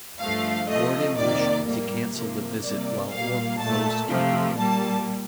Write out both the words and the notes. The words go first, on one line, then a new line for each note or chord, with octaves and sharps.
Gordon wished to cancel the visit while Orr proposed keeping it.
G2 F3 A3 F5
C3 F3 A3 D#5
F2 C3 D#3 A#3 D5
A2 G3 A#3
C3 F3 A#3
C3 G3 A#3 D5
A#2 G3 A#3 F5
A#2 A3 A5
C3 F3 A3
A#2 G3 A#3 A5